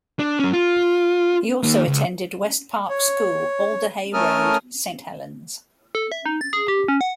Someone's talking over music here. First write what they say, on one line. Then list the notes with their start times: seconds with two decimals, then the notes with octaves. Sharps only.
He also attended West Park School, Alder Hey Road, Saint Helens.
0.19 D4
0.40 F#3 C#4
0.53 F4
1.63 D#3 A#3
1.88 C#2
2.89 C#5
4.13 A3 C#4 A4 A#4 D#6 F6
5.95 A4
6.12 E5
6.25 D#4
6.41 A6
6.53 G#4
6.68 G4
6.88 C#4
7.01 F#5